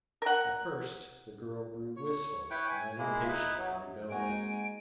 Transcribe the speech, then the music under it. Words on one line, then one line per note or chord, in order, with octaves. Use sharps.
At first the girl grew wistful and then impatient and rebellious.
A#4 F#5
C#5
E4 B4 C#5 G5
G#5
G#3 A#3 E4
D#4 E4 B4
F#3
G#3 A#3 C4 D#4 F#4 G#5 D7